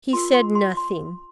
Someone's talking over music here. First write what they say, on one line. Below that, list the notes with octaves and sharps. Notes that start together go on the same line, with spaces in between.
He said nothing.
F4 A#4 C6
C6
C6
C6